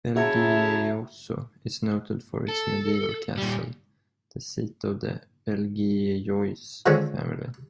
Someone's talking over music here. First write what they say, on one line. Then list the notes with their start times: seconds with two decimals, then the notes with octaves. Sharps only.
Belgioioso is noted for its medieval castle, the seat of the Belgiojoso family.
0.16 C#3 E4 F#4 G#4 C#5 E5 A5 A#5
2.48 A4
3.38 A#2 G3
6.86 D3 D#3 F3 G#3 C4 C#4